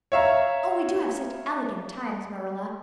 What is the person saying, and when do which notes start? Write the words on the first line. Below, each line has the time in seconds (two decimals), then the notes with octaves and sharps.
Oh, we do have such elegant times, Marilla.
0.12 C#5 E5 F5 A#5